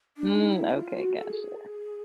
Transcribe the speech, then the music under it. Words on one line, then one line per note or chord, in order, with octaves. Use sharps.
Mm, okay, gotcha.
D4
D#4
E4
F4
F#4
A4
G#4